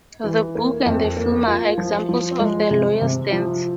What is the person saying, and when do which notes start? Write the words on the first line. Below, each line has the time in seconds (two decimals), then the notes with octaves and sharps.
The book and the film are examples of the lawyers' dance.
0.24 E3
0.55 A#3
0.86 F2
1.17 A#3
1.47 F4
1.78 F3
2.09 F3
2.39 G#3
2.70 C3
3.01 C3
3.32 F3